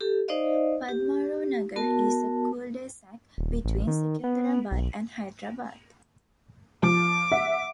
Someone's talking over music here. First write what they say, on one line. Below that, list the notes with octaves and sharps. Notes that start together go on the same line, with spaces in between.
Padmarao Nagar is a cul-de-sac between Secunderabad and Hyderabad.
G4 A4
D#4 C5 D5 D#5 F5
G4
B3 F#4 A#4 A5
D#1
A1
D#3
B3
B1
F3 D6
E5 F#5